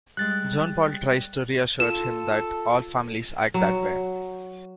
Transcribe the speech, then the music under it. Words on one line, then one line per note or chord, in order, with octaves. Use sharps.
John Paul tries to reassure him that all families act that way.
G3 G#3 F#6 A6
F4 A4 E7
F#3